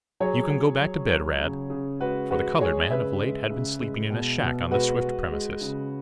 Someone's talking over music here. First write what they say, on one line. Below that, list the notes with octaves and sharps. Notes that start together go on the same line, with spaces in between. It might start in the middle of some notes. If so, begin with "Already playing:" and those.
"You can go back to bed, Rad," for the colored man, of late, had been sleeping in a shack on the Swift premises.
F#3 G#4 C#5
F#3
F#3
F#3
C#3
C#3
G#3 F#4 B4
G#3 F#4 B4
G#3 G#4 C#5
C#3 B4 E5
G#3
C#3
G#3
B2
B2
G#3 F#4 B4
G#3
G#3
C#3